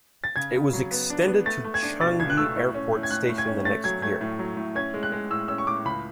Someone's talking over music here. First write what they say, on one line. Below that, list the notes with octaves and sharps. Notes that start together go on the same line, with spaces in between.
It was extended to Changi Airport station the next year.
A6
C#3 G#6
C#3
F#3
B3
D4
B3
A3 A6
A3
G#6
D4
B2 A6
C#2 G#6
F#6
A3 E6
A2
C#4
A2
G#6
A2 F#6
A2
G#6
C#4
A3 A6
F#3 G#6
A3 G#6
A2
F#3
A2
C#4 G#6
G#3
F#6
G#3
A2 E6
C#4 E6
C#6
A2 D6
C#2 B5